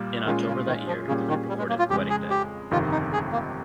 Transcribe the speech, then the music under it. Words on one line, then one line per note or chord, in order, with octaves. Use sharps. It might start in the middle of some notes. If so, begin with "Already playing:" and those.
In October that year, the group recorded "Wedding Day".
Already playing: A#2 G3 A#3
A#2 D#3 G#3 C#4 F4
C#3
D#3
F3
A#2 C#3 G3 C#4 G#4
D#3
G3
G#3
A#3
F4
F2 C#3 G#3 G4
G#4
G4
G1 F2 C3 D#3 F4
D#4
G#4
A#3